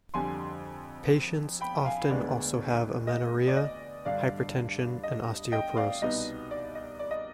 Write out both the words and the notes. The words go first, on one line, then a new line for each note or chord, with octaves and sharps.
Patients often also have amenorrhoea, hypertension and osteoporosis.
F2 D3 G3 G#5 C6
G5 B5
F5 G#5
D2 D3 G#3 B3 D5
D#5
D5
D#5
G2 D3 G3 D4 D5 F5
D#5
D#5 G5
D5 F5
C2 B2 B3 D#4 D#5
D5
D#5
D5
D#5